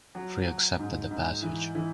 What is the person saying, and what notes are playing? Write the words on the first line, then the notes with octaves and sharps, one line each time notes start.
Three accepted the passage.
F#3
F#3
G#2
G#2
E3
E3